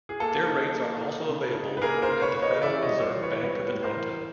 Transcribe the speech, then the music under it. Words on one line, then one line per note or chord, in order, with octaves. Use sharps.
Their rates are also available at the Federal Reserve Bank of Atlanta.
G#4
A#3 A4
D#4
A#3
D#4
C#3
D#4
B4
A#3 G#4 A#4
A#4 C5
C#3
B4 C#5
A#3
C#5 D#5
E3 D5 E5
C#5 D#5
G3
C#5
C5 D5
E3
B4 C#5
G3 B4 C#5
A2
A#4 C5
E3